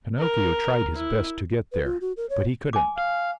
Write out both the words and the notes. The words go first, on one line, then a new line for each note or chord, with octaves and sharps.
Pinocchio tried his best to get there, but he couldn't.
A#4
E4
B4
F4
F#4
A#4
C#5
G#5 D6
F5